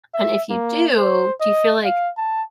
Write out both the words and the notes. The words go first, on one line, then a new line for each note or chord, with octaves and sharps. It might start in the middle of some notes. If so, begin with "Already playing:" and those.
And if you do, do you feel like
E5
A#3
C5
D#5
F5
A5